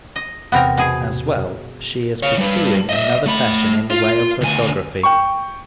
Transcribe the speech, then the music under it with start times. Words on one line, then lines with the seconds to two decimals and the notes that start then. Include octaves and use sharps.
As well, she is pursuing another passion in the way of photography.
0.16 D#5
0.52 E2 C3 B3 C4 A#4
0.77 B2 G#4
2.23 C#5 F5
2.38 G3 B4
2.89 D#5 E5
3.26 A3 B5
3.90 F4
4.41 D2 G#5
5.03 G5 C#6